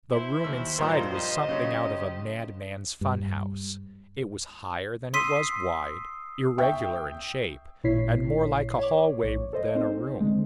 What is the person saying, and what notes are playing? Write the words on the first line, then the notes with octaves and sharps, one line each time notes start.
The room inside was something out of a madman's funhouse. It was higher than it was wide, irregular in shape, and more like a hallway than a room.
E4 C5
D#2 E6
G2 A#2 D#3 F3
G4 D#5
C#3 F#3
G2
C6 D#6 E6 B6 C7 D#7
E5 G5 C#6
A1 A#2 E4 C#5 B6 C7
C#5 D6
A#1 C#5
A4 C5 D#5
C4 D#4 C5
D3 G#3